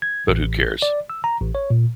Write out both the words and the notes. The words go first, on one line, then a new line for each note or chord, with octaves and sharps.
But who cares?
G#6
A1
D5
E6
A#5
A1
C#5
A#2